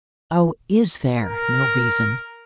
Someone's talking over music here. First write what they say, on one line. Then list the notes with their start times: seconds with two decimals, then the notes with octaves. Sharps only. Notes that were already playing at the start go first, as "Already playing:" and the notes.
"Oh, IS there no reason?"
1.22 A#4